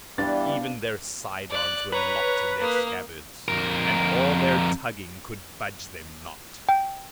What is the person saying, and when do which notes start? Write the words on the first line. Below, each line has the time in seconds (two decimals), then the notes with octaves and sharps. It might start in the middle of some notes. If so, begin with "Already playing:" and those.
Even their side arms were locked in their scabbards; and all their tugging could budge them not!
0.18 E3 G3 B3 D4 F4 B4 A6
1.50 D5 F#6
1.92 B4 C#5 A#5
2.60 A#3 D#6
3.48 F2 A#4
6.69 G5